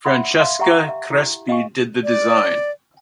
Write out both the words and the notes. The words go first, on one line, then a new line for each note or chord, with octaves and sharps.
Francesca Crespi did the design.
E5 F#5 B5 C6
E5 F5 C6
G4 E5 F#5 G5 A#5 C#6
E5
E4 G4
D#5 F5 G#5 C#6
D5